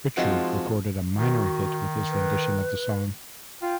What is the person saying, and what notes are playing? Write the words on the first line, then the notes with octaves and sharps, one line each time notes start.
Richard recorded a minor hit with his rendition of the song.
F3 G#3 C4 D#4 F4 F#4
D#3 F#4
B4
F4 G5